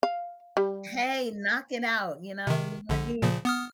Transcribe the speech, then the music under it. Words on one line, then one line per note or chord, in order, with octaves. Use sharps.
Hey, knocking out, you know, without being
F5
G3
C3 D#3
A#1 D3
A#2 C#3 F3
B3 D#6 F6